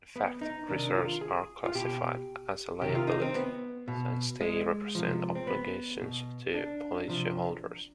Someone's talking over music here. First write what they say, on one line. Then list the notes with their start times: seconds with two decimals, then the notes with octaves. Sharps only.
In fact, reserves are classified as a liability, since they represent obligations to policyholders.
0.16 B3
0.41 D#4
0.69 C3 D#3 D4
0.95 F4
1.21 G#4
1.64 F4
1.75 B2 G4
2.82 C3 D#3 G4
2.95 F4
3.08 D#4
3.22 C4
3.35 B3
3.88 B2
4.41 G#3
4.95 C3 F3
5.35 C4
5.47 B3
6.01 B2
6.54 D4
7.08 C3 F3